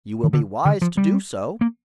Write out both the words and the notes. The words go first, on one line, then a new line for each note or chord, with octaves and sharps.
"You will be wise to do so."
D#3
D3
D3
F3
G3
A#3